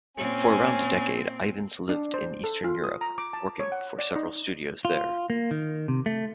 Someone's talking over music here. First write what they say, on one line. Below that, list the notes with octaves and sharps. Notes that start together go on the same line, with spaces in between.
For around a decade Ivens lived in Eastern Europe, working for several studios there.
A#2 C4 C#4 G#5
D4
C5
A4
F4
D#6
A#5
D6
A5
C#5
F#5
D5
D#4
F4
A#3
D#3
C3
A3